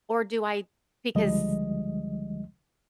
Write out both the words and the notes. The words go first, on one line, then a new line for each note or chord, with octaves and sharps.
or do I because
C#2 D3 F3 G3 G#3 D#5